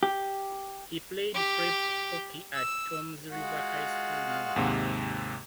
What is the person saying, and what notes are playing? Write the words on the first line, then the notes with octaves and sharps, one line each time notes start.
He played prep hockey at Toms River High School North.
G4
G4
E6
G#3 F4 F#4
D#2 G#2 C3